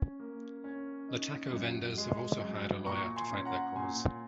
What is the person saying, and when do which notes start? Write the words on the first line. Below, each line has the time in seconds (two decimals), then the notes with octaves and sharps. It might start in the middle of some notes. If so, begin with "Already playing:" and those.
The taco vendors have also hired a lawyer to fight their cause.
Already playing: C#4
0.20 A#3
0.64 C#4
1.09 D#4
1.53 F#2
1.98 G#3
2.42 F#2
2.86 A#2 A#5 C#6
3.16 G#5 C6
3.31 C#4
3.45 F#5 A#5
3.76 A#2 G#5 C6